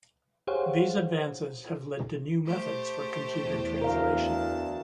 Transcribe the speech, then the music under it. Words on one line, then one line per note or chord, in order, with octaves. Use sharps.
These advances have led to new methods for computer translation.
G4 G#4 C5 C#5 F5 F#5
A3 G4 C5
E2
D2 A#4 F5
A5